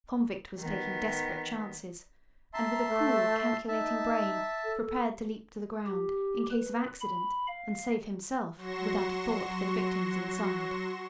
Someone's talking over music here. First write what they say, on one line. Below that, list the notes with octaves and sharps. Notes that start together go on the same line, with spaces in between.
The convict was taking desperate chances, and with a cool, calculating brain, prepared to leap to the ground in case of accident and save himself, without a thought for the victims inside.
D#3 B3
E5 A5 A#5 C6
A3
D#4 E5 A5
A4
G4
B4
B5
F5
F#3 F#4 C6 C#6 A#6 E7